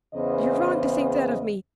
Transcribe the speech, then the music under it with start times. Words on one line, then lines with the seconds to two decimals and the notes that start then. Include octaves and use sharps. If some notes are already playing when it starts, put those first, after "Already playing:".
You're wrong to think that of me...
0.15 E2 C#3 B3 C5 D#5